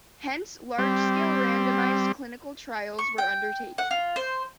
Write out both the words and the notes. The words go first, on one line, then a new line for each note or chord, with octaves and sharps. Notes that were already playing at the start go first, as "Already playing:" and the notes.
Hence, large-scale randomized clinical trials were undertaken.
G3 C4
C#6
G5
F#5
F4
C5